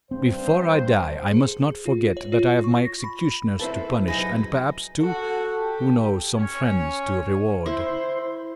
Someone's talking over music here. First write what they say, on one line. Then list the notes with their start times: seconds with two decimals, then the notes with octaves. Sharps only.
Before I die I must not forget that I have my executioners to punish, and perhaps, too, who knows, some friends to reward.
0.11 G2 C4 C5
1.32 G#4
1.86 F4
2.17 C#5
2.32 F4
2.64 C#6
2.85 A#6
3.04 B5
3.60 E3 C4 E4 A4 B4 C5
4.08 F#2 D#4 G#4 B4 A#6
5.01 F#4 A4
5.58 G4
6.37 C#4 C#5
7.66 E4 C5